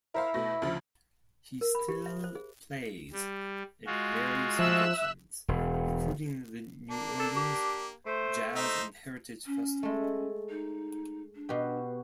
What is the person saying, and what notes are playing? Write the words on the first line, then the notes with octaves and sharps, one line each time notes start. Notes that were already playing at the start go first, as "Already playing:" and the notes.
He still plays at various conventions, including the New Orleans Jazz and Heritage Festival.
E4 A#4 C5 F5
B2 A3 A#6
D2 C#3 F3
A#4
B5
G4
E5
C5
G#4
G3
G#3 F4 F#4
F3 E5 E6 F#6
E1
A#3 D4
A4
G4
A3 C5
D#4 C5 E5
C#4
G#3 A3
D#4
D4
B2 G4